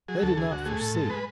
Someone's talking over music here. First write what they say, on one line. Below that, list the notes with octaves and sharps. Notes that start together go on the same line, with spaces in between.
They did not foresee....
F#3 G#4
D2 A4
D2 G#4
D2 F#4
A3 G#4
A2 A4
G#2 A4
G#3 B4